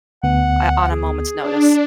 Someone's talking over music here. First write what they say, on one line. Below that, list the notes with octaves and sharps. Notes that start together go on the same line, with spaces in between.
uh, on a moment's notice.
D2 B3 F#5
G#4
D4